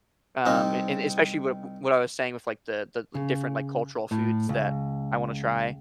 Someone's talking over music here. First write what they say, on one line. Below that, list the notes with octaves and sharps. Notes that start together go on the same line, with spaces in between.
um, and and especially wi w what I was saying with, like, the the li different, like, cultural foods that I wanna try.
C2 C4 D#4
C#3
A2
C#2